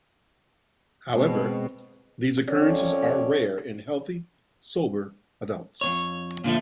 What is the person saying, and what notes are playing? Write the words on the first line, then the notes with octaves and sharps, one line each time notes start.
However, these occurrences are rare in healthy, sober adults.
B2 G#3 C4
F2 C#4 A4 C#5 D5
F2 A#2 C#5
A#2 D3 F3 A3